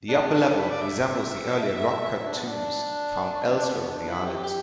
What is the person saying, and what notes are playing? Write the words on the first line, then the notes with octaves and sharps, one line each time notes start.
The upper level resembles the earlier rock-cut tombs found elsewhere on the Islands.
D4
A4
B4
D5
E5
D4
B3
D4
B3
D4
E4
G4
G4